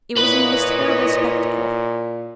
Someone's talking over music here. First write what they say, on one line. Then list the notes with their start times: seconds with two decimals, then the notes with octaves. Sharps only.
It was a most terrible spectacle.
0.17 A#2 E4 B4 C#5 D#5 B5